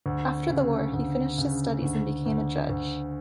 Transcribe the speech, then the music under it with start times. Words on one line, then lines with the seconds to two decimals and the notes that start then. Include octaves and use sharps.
After the war he finished his studies and became a judge.
0.06 D2
0.50 C#3
0.93 D2
1.38 C#3
1.82 D2
2.26 D2
2.70 D2